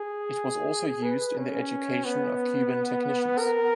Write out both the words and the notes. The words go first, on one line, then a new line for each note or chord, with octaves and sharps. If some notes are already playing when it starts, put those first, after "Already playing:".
It was also used in the education of Cuban technicians.
Already playing: G#4
B4
C#4
B3
A#4